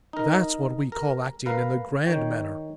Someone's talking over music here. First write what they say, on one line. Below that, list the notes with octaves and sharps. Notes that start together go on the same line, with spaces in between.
That's what we call acting in the grand manner.
D#4 A#4
A#4
A#4 B4 F5
D#3 C#5 G5